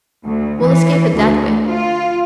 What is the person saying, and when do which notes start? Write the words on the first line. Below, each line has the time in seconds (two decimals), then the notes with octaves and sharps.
We'll escape it that way.
0.25 D2
0.62 E3
1.14 D2
1.66 F4